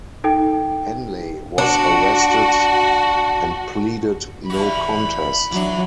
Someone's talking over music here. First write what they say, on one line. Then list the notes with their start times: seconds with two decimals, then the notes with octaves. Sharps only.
Henley was arrested and pleaded no contest.
0.24 D#4 A4 G5
1.58 D4 F#4
4.50 E2 E3 F#4 B5
5.51 E3 F#3 D4